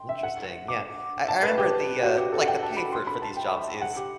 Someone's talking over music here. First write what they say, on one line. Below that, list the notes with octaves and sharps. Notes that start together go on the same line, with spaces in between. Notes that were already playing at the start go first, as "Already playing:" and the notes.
Interesting. Yeah. I I remember the, uh, like, the pay for for these jobs is
Already playing: G5 C6
E5
F#5
D6
A5
B4
G4
F#4
G4
A4
F#5
G5
A5
B5
C6
B5
A5
G5
F#5
G4